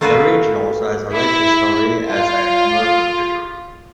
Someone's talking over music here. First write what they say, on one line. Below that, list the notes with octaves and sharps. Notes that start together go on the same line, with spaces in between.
The region also has a rich history as a commercial fishery.
A3 A#3 F4 F#4 A#4 B4
E4
F4